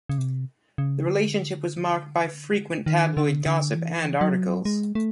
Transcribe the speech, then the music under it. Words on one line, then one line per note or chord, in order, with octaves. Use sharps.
The relationship was marked by frequent tabloid gossip and articles.
C#3
C3
C#3
D3
D#3
D3
D3
E3
F#3
G#3
A3